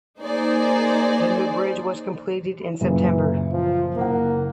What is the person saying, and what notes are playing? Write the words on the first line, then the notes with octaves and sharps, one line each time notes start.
The new bridge was completed in September.
A#3 D#4 G#4 C5 D5
F#2 A#2 C#3 E3
F3
F#1 A#3 F#5